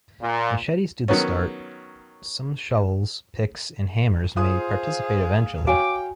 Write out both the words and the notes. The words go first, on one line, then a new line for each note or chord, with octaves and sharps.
Machetes do the start, some shovels, picks and hammers may participate eventually.
A#2
D#3 F#3 B3 C#4
F4 G#4 C5 F5 D#6
F#4 C#5 F5 G5 G#5 D6